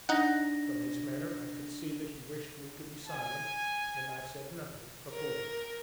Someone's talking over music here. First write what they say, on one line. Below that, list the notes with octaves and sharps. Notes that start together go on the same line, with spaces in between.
From his manner I could see that he wished me to be silent, and I said nothing accordingly.
D4 D#4 F#5 A#6
G#5
A#4